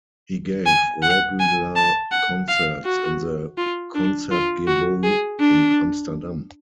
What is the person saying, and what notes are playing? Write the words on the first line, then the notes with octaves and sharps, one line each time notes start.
He gave regular concerts in the Concertgebouw in Amsterdam.
G#5
F#5
G#5
A5
F#5
F5
F#4
F4
D4
F4
F#4
G#4
D4